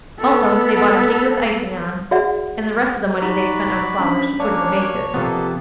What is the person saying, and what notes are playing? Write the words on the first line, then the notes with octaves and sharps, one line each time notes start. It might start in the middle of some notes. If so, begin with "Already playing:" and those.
Also they bought a cake with icing on, and the rest of the money they spent on flowers to put in the vases.
B3 A4
F#4 G#4 D5 E5 F#5
D#4 F#4 G4 D5 A#5 B5
C#4 D4 B6
A#3 C#4 D4 C#5 D5 A5 D6
C3 F3 A#3 B3 A4